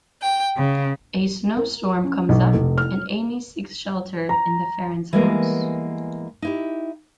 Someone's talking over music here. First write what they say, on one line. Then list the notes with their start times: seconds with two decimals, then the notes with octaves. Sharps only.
A snow storm comes up, and Amy seeks shelter in the Farrens' house.
0.20 G5
0.56 C#3
1.57 A#4
2.04 C#4
2.29 B1
2.54 F1
2.78 F6
4.29 A#5
5.13 E3 G3 G#3 A#3 B3 A#4
6.42 D#4 E4 G4